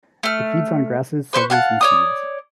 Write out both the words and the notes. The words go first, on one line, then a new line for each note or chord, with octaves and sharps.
It feeds on grasses, sedges and seeds.
A3 F6
B4 C5 E5 C#6
F5 F#5 G#5 A5
C#5 D5 D#6